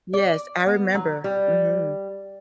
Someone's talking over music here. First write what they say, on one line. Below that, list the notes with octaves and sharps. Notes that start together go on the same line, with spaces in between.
Yes, I remember. Mhm.
D5
B3
F#3
G3